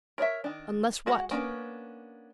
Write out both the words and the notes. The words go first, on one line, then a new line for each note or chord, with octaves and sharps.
"Unless what?"
A#4 C#5 D5 E5
D#3 D4
G#3 F#4 F#5
A#3 B3 C#4 D4